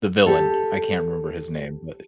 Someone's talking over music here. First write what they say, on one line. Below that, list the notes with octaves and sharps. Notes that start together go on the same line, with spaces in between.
the villain, I can't remember his name, but
G4 A4